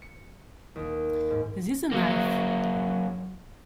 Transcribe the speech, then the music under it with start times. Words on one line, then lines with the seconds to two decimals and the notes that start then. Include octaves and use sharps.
This is a knife!
0.02 C#7
0.76 D#2
1.30 G#2
1.92 F#3 A#3